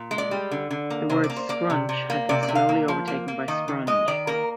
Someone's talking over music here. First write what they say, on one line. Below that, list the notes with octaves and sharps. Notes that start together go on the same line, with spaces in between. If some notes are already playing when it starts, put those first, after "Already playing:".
The word "scrunch" had been slowly overtaken by "scrunge".
Already playing: A#2
G#3
D5
G3
D3
D3
A#3
C3 C5
D5
A#3
C5
A#3 D5
C3
C3
A#3
C3 D5
D5
C3
F5
A#3
F3
A#3
A#3
D#3 D#5
D#3
G#3 D#5
D#3 D5
A#3 A#4